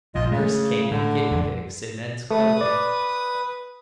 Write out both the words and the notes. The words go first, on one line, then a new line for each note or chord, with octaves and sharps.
First came in guinea pigs in men's clothing.
A#1 G#2 F4 D#5
C#3 G#3 A3
A2 D3
E1 F2
A3 B4 D#6
D5